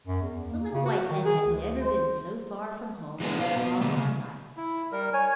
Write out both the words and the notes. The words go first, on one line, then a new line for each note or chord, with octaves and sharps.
The little white hen had never been so far from home in all her life.
F#2
E2
A#3
C#3
F#4
D#3
G#4
D2
C5
E3 G#3 B3 D4
B4 C5 F5
B2 B3
D3 A3
C#3
E4
G3 A#4
C#5 G#5